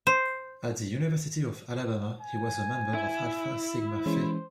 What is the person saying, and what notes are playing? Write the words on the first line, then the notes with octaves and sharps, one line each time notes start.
At the University of Alabama he was a member of Alpha Sigma Phi.
C5
G#5
E4
E3 G#3 C#4 C5